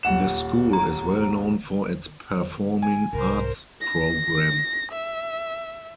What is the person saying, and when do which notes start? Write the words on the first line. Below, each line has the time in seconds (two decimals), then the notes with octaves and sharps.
The school is well known for its performing arts program.
0.03 D#1 F#5 E7
0.73 A#5
2.82 G#5
3.13 C2 G#2 A#4 C5
3.81 A#6
4.92 E5